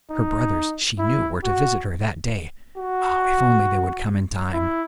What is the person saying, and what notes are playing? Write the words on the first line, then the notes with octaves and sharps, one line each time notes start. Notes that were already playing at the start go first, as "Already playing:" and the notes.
Her brothers, she knew, were to visit her that day--if only they would come in time!
D#4
E4
F#4
F#4
E4